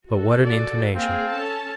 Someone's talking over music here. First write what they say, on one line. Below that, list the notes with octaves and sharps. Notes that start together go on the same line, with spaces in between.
But what an intonation!
F#4 A4
D5
A#3 C4 G#4 F5
C#4 A4 A5